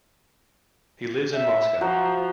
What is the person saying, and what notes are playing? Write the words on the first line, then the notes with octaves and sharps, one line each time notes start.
He lives in Moscow.
E5
F3 F#4 C5 A#5